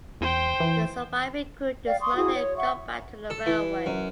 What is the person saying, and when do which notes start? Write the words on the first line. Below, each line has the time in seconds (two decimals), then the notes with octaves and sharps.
The surviving crew dismounted and got back to the railway.
0.21 E2 C5 G5
0.60 E3
1.87 D5 F5 G5
2.00 C6 C#6 D#6
2.16 E4 F#4 G#4 D#6
2.35 C#5
2.57 E5 F#5 C#6
3.30 A4
3.46 E3
3.86 F#2